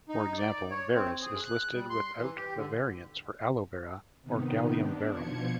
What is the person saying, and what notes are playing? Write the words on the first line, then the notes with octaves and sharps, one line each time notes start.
For example, "verus" is listed without the variants for "Aloe vera" or "Galium verum".
D#4
D5
C#5
C4
G#4
F#6
G3
C6
E3
G4
D3
C3 D#3 B3 D#4
D4
B2 F3 G#6 C#7